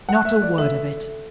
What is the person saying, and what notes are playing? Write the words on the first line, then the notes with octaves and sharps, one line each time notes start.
'Not a word of it.
F#5
F#6
E5
F#6
D5
A4 E5